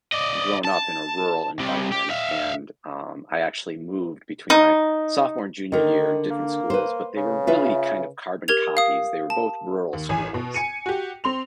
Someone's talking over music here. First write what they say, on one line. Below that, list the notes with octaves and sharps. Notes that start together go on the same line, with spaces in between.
grown up in a rural environment and, um, I actually moved between my sophomore and junior year, different schools, but they were really, kind of, carbon copies. They were both rural schools,
D5 D#5
A5
C3 G3
G4
E5 F5
D#4
D3 D#3 A#4
A#3
B4 C5
C#3
F4 B4 E5
G4 A#4 G#6 F7
F5 D#6
A5
D#2
A1 G#5
B2
G#5 C#7 D#7
F#4 G4
C4 C6 F7